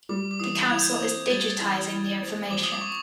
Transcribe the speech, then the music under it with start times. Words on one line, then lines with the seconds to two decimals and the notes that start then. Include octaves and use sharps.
The council is digitizing the information.
0.09 G3 D6
0.31 D6
0.40 E3 D#6
0.70 E4 G#6
0.82 G6
0.93 G#6
1.00 C4
1.30 G3 A6
1.50 A6
1.60 E3 G#6
1.91 E4
2.21 C4
2.51 F3 D6
2.63 D#6
2.72 D6
2.81 C#6